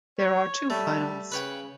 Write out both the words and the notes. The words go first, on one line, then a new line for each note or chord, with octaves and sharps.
There are two finals.
C#5
G3 A3
C#3 B4 C#5 G5